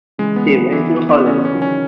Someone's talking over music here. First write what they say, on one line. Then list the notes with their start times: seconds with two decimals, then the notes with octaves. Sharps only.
He went to Holland.
0.18 C#3 E3 G#3
0.36 B3
0.45 D#3 F#3
0.55 B3
0.73 E3
0.90 B3
1.09 B3
1.26 C#3 E3 C#4
1.45 C#4
1.53 D#3 F#3
1.62 C#4